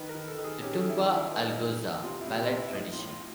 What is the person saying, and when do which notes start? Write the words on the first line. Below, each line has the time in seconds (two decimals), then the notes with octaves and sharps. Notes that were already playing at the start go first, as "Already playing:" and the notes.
"The Tumba-Algoza Ballad Tradition".
Already playing: D#3 B4
0.09 A#4
0.15 D#3
0.28 A4
0.38 D#3
0.44 G#4
0.62 C#4 G4
0.73 A4
0.80 G#4
0.85 D#3 E4
0.97 F4
1.10 D#3
1.15 E4
1.26 D#4
1.33 B3
1.49 D#4
1.56 E3
1.80 E3
2.03 C3 F4
2.21 E4
2.27 C3
2.39 E4
2.50 C3
2.56 E4
2.73 A2 D#4
2.92 F4
2.98 A2
3.09 F4